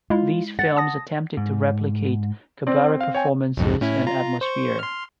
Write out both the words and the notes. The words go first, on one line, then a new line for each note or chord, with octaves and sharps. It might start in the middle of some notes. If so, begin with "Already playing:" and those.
These films attempted to replicate cabaret performances and atmosphere.
G#3 E4 F4
F#5 A6
A5 D#6 A#6
G#2
C4 D5
F5
C#5 G5 G#5
B1 F2 G#2
A2 C#4 E4
F4 A#5
C5 C#6
C6 F6